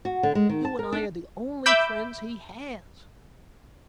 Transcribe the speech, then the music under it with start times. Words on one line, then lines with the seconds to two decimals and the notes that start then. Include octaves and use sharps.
You and I are the only friends he has.
0.05 F#4
0.23 D3
0.35 G#3
0.49 D#3
0.65 A5
0.79 A#4
0.92 D4
1.66 E5 B5 D6 E6 G6